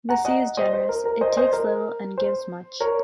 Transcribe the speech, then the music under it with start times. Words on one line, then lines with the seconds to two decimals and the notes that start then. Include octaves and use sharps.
The sea is generous - it takes little and gives much.
0.09 F#5 A#5
0.25 D#5 F#5
0.57 C5 D#5
0.73 C5
0.89 A#4
1.05 A#4
1.21 C5 D#5
1.37 C5 D#5
1.53 A#4
2.18 C5
2.80 A#4 C#5